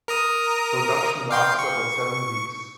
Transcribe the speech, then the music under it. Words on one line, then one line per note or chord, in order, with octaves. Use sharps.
Production lasted about seven weeks.
A#4 A#5 D#6
F5 G5 C6
C#6